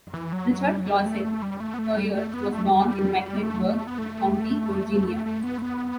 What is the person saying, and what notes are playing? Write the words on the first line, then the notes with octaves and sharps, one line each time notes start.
Richard Clauselle Puryear was born in Mecklenburg County, Virginia.
E3
F#3
F#3
G3
F#3
G3
A3
A3
G3
A3
B3
A3
G3
A3
B3
A3
G3
G3
A3
B3
A3
A3
A3
B3
A3
B3